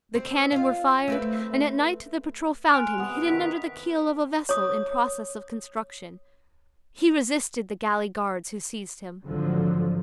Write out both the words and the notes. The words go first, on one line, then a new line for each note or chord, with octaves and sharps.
The cannon were fired, and at night the patrol found him hidden under the keel of a vessel in process of construction; he resisted the galley guards who seized him.
C4
F4 F5
A3 C4 B4
G#5 C6 F6 F#6 D7 F7
C3 B3 F#5
D#3 B3 E4 B6
C#5 D#6
G#1 D3 F3 F#3